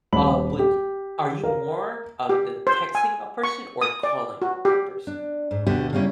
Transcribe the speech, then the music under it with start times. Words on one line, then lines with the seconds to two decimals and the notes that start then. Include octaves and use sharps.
Uh, would y are you more of the texting a person or calling the person?
0.12 D#1 C#5 B5 F#7
0.59 G4
1.44 A#4 F5
2.29 G4
2.67 C5
2.95 G#5
3.43 C#6
3.81 D#6
4.03 D5
4.42 F#4
4.65 G4
5.07 D4
5.51 G#2
5.67 D2 B2 D3 F#4 G4 E5
5.93 C#3 G3 A#3 C#4 E4